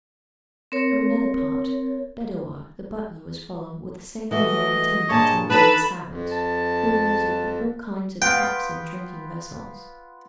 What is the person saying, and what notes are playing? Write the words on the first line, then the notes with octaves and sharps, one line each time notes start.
From another part, Bedoer, the butler, was followed with the same number of attendants, in various habits, who waited with all kinds of cups and drinking vessels.
C4 A#4 C#5
E3 A3 F#4 D#5
G2 A#2 G4 G#4 C#5 A5
D#4 A4 B4 A5 B5
F2
A5
B3 F4 G5